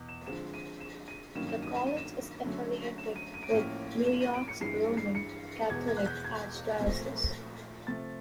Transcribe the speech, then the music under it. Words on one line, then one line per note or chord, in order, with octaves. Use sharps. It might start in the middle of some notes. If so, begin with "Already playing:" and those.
The college is affiliated with New York's Roman Catholic archdiocese.
Already playing: E2 B2
E7
D3 F3 G#3 C4 E7
D#7
E7
D#7
G2 D#3 F#3 A#3 C#4 E7
E7
D#7
E7
D#7
E7
D3 F#3 A3 C#4
E7
D#7
D#7
D7
A2 F3 A#3 C#4 D#7
E7
D#7
D7
C#7
G2 E3 G#3 C7
C7
C#7
E2 B2 G#3 B3 G#6
G#6
F#6
G6
G#6
A#2 F3 A3 C4
C3 F3 A3 C4 A6